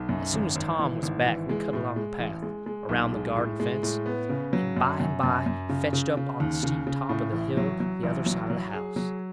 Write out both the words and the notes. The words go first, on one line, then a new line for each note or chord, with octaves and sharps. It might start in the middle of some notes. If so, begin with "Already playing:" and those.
As soon as Tom was back we cut along the path, around the garden fence, and by and by fetched up on the steep top of the hill the other side of the house.
Already playing: B1
F#2
G#1
G#1
E3
G#1
E3
G#3
A2
G#3
A1
G#3
G#3
B1
G#3
A2
G#3
A2
B3
C#3
F#3
F#2
F#2
F#2
F#2
C#3
C#3
C#3
D#2
C#3
C#3
A2
A1
F#3
F#3
A1
F#3
F#3
G#4
F#3